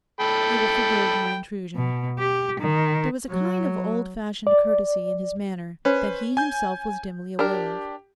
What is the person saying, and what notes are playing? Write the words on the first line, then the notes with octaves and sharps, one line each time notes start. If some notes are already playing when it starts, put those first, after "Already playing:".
You will forgive my intrusion?' There was a kind of old-fashioned courtesy in his manner that he himself was dimly aware of.
A4 G5 B5
B2
G4
D#3
F#3
D5
C#4 B4 C5
G#5 G6
D4 G4 A#4